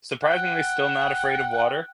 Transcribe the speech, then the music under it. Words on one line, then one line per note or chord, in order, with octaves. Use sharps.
surprisingly still not afraid of water.
F#5 G5